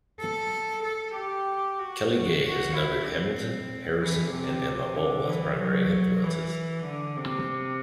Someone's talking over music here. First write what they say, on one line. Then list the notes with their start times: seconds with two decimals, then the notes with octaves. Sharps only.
Kelly Gay has noted Hamilton, Harrison, and Emma Bull as primary influences.
0.20 A4
0.83 A4
1.15 G4
1.78 F#4
2.10 F#4
2.42 F#4
2.74 E4
3.06 C4
4.00 E3
4.32 C3
4.95 D3
5.28 E3
5.59 F#3
6.23 E3
6.85 D3
7.17 C3